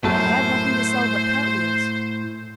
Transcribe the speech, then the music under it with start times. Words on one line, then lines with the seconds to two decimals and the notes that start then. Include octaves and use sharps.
I have nothing to sell but cart-wheels.
0.04 F#2 A2 F#3 A3 C5 A5